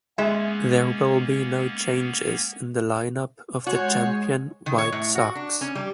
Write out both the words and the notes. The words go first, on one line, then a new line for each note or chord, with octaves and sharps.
There will be no changes in the lineup of the Champion White Sox.
G#3 A#3 B3 C#4 G#4 E5
G#3 F#4 C5 C#5 G#5
D#3
C#5
A2
F#4
D4
C#4
G3